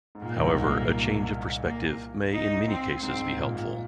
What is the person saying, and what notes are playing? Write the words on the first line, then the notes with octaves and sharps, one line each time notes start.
However, a change of perspective may in many cases be helpful.
G#2
A#2 A#3
D#3
C2 C3
G#2
A#2
A#2
A#3
D#4
C4
G#2 C4
G#2
A#2
A#2